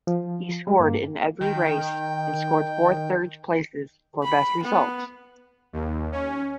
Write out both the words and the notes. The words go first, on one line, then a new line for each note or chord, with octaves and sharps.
He scored in every race and scored four third places for best results.
F3
G3 G#3
G2 A#3
D#3 G5
B5
B3
D#2
C#4